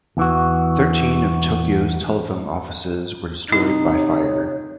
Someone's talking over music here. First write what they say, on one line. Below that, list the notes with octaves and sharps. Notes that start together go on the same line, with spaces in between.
Thirteen of Tokyo's telephone offices were destroyed by fire.
E2 E3 F#4
C3 D#4 E4
C#5